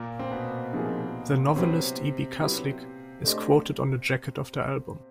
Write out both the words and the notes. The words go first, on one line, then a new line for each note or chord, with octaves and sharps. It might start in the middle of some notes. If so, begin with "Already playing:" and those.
The novelist Ibi Kaslik is quoted on the jacket of the album.
Already playing: A#2 A#3
C4
B2 B3
C3 F3 A#3 D#4 G#4
C#4
C3 F#3 B3 C4 E4 G4 B4
F#3 B3 E4 G4 B4
A3 D4 G4 C5 D#5